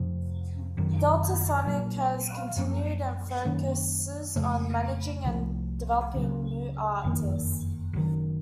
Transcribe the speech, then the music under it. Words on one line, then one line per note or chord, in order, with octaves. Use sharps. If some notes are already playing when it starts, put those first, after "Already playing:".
Deltasonic has continued and focuses on managing and developing new artists.
Already playing: F2 C3 F3
F#1 F#2 D#3
A#1 A#2 F#3
F#2 F3 A#3 C#4
F#2 D#3 A#3 C#4
F1 F2 C#3 A3
C2 C3 F3 A3
C#2 C#3 F#3
F#1 F2 D#3 A#3
F#1 F#2 D#3